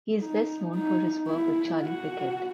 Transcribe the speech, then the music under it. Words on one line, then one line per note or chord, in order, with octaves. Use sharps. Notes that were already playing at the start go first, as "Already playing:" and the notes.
He is best known for his work with Charlie Pickett.
D#4
D#4
E4
F#4